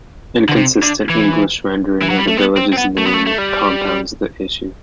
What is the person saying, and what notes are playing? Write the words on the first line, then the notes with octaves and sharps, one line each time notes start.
Inconsistent English rendering of the village's name compounds the issue.
D3
C3
D3
E3
E3
F#3
G3
A3
B3
C4
C4
B3
A3
B3
A3
A3
G3